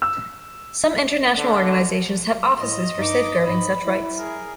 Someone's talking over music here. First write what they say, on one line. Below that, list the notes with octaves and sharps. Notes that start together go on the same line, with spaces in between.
Some international organizations have offices for safeguarding such rights.
E6
D3
A2 D#5
G2 D#4 D6
G#2 B5
E4
G#4 A#4